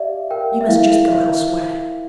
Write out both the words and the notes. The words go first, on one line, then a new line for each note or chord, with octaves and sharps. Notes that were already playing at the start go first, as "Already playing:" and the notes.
You must just go elsewhere.'
Already playing: G4 D5 E5 F5
A#4 G5
E5
E4 F5
E5